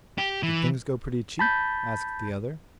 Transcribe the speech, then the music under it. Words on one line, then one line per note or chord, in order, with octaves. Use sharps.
'Did things go pretty cheap?' asked the other.
G4
E3
A5 B5 G6